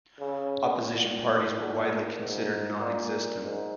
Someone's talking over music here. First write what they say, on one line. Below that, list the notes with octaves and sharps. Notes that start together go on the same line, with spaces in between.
Opposition parties were widely considered nonexistent.
C#3
A#2
A#2
G#2
A#2
G#2